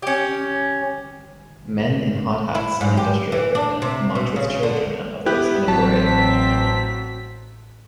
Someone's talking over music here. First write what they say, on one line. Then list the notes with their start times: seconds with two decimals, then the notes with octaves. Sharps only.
Men in hard hats and industrial equipment march with children and others in a parade.
0.02 C#4 G4
2.55 E4
2.81 G#2
2.97 G4
3.32 E3
3.55 D4
3.82 C3
4.15 B2
4.36 C#3
4.63 D3
5.26 B3 E4 G4 F#6
5.68 A1 F#3 C4 A5 B6